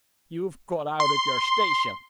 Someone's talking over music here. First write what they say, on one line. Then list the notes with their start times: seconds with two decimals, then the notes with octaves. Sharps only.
You've got out of your station.
1.00 C6